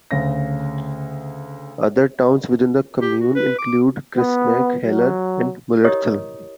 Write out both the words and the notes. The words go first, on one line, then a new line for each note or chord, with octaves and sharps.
Other towns within the commune include Christnach, Haller, and Mullerthal.
D2 C#3 A#6
G4
F#4
B4
D6
B3
F#3
E4 G4 A#4 C#5 D#5 D#6